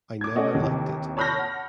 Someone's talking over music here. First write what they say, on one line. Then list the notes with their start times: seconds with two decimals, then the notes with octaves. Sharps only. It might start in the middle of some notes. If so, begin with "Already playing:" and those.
I never liked it.
0.21 D6 G#6
0.36 A3 C#4 D#5 F#5
0.54 D#2 C3 E3
1.17 C#5 A5 B5 F6 G6 A#6
1.39 F#5